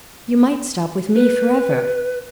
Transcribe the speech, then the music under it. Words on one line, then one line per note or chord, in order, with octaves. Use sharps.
You might stop with me for ever.'
B4